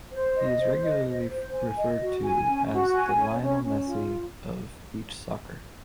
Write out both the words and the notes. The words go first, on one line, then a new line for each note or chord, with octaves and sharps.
He is regularly referred to as the "Lionel Messi of beach soccer".
C5
D#5
C5
D#5
C5
C5
G#5
D#5
F#4
G#5
C#4
F#4
G#5
C#4
C#4
C#4
F4